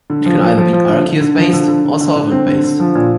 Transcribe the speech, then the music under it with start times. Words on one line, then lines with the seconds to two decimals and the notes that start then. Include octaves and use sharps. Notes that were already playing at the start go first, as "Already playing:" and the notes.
It can be either aqueous based or solvent-based.
0.10 D3
0.26 F3
0.42 F3
0.58 F3
0.73 F3
0.89 D3
1.06 D3
1.21 D3
1.37 F3
1.53 D3
1.68 D3
1.85 D3
2.01 D3
2.16 D3
2.32 C4
2.47 D3
2.64 D3
2.80 F3
2.95 A#2